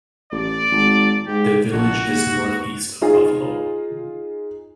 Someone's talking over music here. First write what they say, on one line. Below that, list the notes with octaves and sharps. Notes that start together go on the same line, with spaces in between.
The village is northeast of Buffalo.
A1 D5
G#1
G#2 G4
A#1 F#4
D#2
D#4 F4 G#4